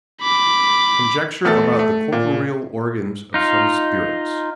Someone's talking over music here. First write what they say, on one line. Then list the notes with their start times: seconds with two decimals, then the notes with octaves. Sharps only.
Conjecture about the corporeal organs of some Spirits.
0.22 B5 D6
1.45 E2 A3 A4 A6
1.79 A3
2.12 A#2
3.34 D#4 F4